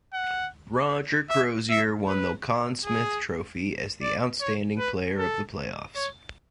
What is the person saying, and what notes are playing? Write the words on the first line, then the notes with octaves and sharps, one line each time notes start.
Roger Crozier won the Conn Smythe Trophy as the outstanding player of the playoffs.
F#5
E5
E5
B4
G#4
D5
C#5
B4
A4
C#5